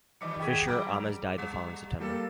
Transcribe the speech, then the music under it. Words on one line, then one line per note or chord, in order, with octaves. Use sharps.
Fisher Ames died the following September.
D#3 E3 G3 D#5 D6 C#7
D#3 F#4 G#4 G5 B6
F#3 A#5 D6
G3
G3 A#3 G4 A4